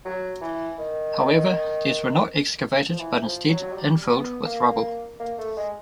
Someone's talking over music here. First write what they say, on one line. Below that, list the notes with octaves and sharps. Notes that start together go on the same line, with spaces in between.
However, these were not excavated but instead infilled with rubble.
F#3
E3
D#3
F3
E3
F3
F#3
F#3
G3
B3
A#3
A#3
A3
G#3